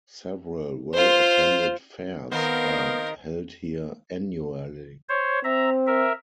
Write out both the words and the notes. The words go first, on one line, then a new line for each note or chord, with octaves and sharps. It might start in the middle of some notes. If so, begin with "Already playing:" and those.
Several well-attended fairs are held here annually.
F4 C5
D#3 B3 C4 A#4 C5 F5
C5 C#5
C4 E5 A#5
A#4 E5